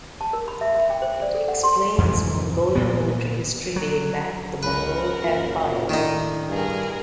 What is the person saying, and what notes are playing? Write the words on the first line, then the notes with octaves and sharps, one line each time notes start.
It explains Mongolian military history dating back to the Mongol Empire.
A5
A#4
B5
E5
E5
G5
C5
D5
A4
F#5
C6
F2 G#2 C3 E3
A#2 B3
F#3
C#2 A#4 B4 F#5
F#1 F4
A2 D#3 D4 D#4 E7
G2 G#4 A#4